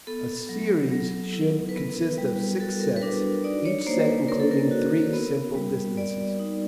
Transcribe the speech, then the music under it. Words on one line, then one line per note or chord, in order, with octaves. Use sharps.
A series should consist of six sets, each set including three simple distances.
B3 A4
F#3
F#3
E4
B4
B3 A#4
G3
F#4 A4
A#4
B4
D4 A#4
D#4 D5
C#5
A#3 C5
B4
A#3 A#4
A4
A#4
F#4
B3
G3
G3 D5
D#4